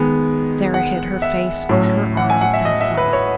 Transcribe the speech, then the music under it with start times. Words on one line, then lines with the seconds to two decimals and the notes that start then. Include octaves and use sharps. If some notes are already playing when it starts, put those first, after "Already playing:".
Sara hid her face on her arms and sobbed.
Already playing: D#3 G#3 B3 G#5
0.74 F#5
1.22 E5
1.69 A2 F#3 C#4
2.17 F#5
2.30 G#5
2.41 F#5
2.54 E5
2.65 D#5
2.81 E5
2.97 B4
3.13 C#5